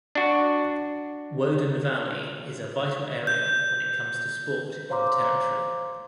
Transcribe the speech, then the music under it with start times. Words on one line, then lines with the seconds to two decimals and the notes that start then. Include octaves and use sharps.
Woden Valley is a vital area when it comes to sport in the Territory.
0.15 D4 F#4
3.27 G6
4.90 C5 C#5 F5 A#5 C6 D6